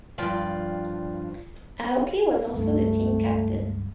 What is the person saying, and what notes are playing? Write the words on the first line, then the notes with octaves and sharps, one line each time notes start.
Aoki was also the team captain.
G2 F3 F4 D5 G5
C#2 G2 A3